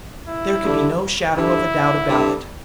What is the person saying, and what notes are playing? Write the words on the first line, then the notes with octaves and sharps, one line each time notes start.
There could be no shadow of a doubt about it.
E4
G2 D3
G2 D3 E4
G2 D3